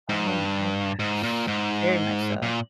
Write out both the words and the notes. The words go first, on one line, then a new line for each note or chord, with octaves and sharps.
Oh my gosh, very much so.
G#2
G2
G#2
A#2
G#2
A#2